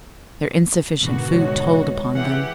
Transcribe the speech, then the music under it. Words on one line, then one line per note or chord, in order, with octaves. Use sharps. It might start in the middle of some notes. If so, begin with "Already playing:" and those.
Their insufficient food told upon them.
G#2 B2 D3 D#3 B3 F#4
G#3 C#5
E3 G4 G#4 E5 F#5 G#5